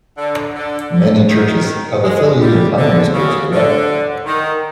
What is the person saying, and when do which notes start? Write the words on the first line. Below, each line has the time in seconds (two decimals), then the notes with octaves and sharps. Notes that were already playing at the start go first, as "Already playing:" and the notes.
Many churches have affiliated primary schools as well.
0.18 D3
0.55 D3
0.91 D3
1.29 D#3
2.03 G#3
2.40 G3
2.77 D3
3.14 C#3
3.52 D3
4.25 D#3